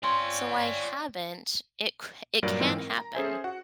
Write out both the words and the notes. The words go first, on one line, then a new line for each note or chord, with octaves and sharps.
So I haven't it c it can happen,
C4 F4 C#5 D5 G#5 C6
G2 A#2 F#3 A#4 D5
G#2 E3 G#3 C4 D#4 F4
A#4
A#5
C#4 G#4 A4 C5 E5 G#5
F#4 F#5